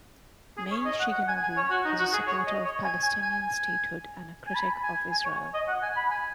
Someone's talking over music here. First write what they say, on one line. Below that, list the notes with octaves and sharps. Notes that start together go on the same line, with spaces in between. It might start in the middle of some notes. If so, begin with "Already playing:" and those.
Mei Shigenobu is a supporter of Palestinian statehood and a critic of Israel.
G#4
C#5
D#5
F#5
F#5
G#5
G#5
C#5
F#4
D#4
F#4
G#4
C#5
D#5
C#5
G#5
G#5
G#5
G#5
G#5
B5
G#5
G#5
C#5
D#5
F#5
G#5
B5
G#5